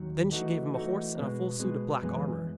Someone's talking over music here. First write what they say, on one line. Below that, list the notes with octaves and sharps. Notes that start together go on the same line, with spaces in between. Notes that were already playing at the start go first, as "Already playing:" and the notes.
Then she gave him a horse and a full suit of black armour.
Already playing: D#2 D#3 F#3
E3 A3 D#4 F#4
E3 A3 D#4 F#4
B2 G#3 B3
B2 G#3 B3
F#2 E3 G#3 B3